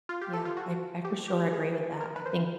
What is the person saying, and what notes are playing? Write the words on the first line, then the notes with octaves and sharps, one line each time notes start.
Yeah. I I for sure agree with that. I think
F4
G4
A4
F4
F#4
G4
G4
G#4
A#4
B4
C5
B4